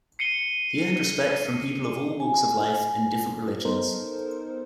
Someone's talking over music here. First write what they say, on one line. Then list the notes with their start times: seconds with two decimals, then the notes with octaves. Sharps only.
He earned respect from people of all walks of life and different religions.
0.19 C7 C#7 D#7 G7
2.20 G#5
3.65 B3 D#4 A4 A#4 C5